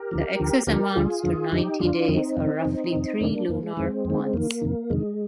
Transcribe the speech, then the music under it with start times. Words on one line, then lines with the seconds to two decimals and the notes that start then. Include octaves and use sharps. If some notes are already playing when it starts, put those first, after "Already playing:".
The excess amounts to ninety days or roughly three lunar months.
Already playing: G4 A#4
0.11 D2 D3 F3
0.40 D2 D3 F3
0.67 D2 D3 F3 G4 A#4
0.95 D2 D3 F3 F4 G#4
1.23 F2 D3 F3
1.52 F2 D3 F3 D#4 G4
1.80 F2 D3 F3 D4 F4
2.08 F2 D3 F3 C4 D#4
2.37 F2 C3 D#3
2.65 F2 C3 D#3
2.93 F2 C3 D#3
3.21 F2 C3 D#3 A#3 D4
3.49 F2 D#3 A#3
3.63 G#3
3.77 F2 D#3 G#3 C4
4.05 F2
4.10 D#3
4.33 F2 D#3 A#3
4.62 F2 C3 D#3
4.90 F2 C3 D#3 G#3